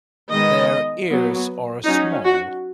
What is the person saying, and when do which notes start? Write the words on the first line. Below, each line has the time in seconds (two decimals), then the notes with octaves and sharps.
Their ears are small.
0.31 D#3 G#3 B3 D#5
1.09 F#3 B3
1.85 F#3 C#4 D#4
2.25 F#4